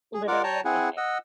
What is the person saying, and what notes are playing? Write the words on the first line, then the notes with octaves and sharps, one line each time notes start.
Literally everything.
G#4
F4 A#4 D5 F#5 D6
C#5 G5 A5 A#5
C4 E4 G#4 F#5 G#5
D#5 F#5 E6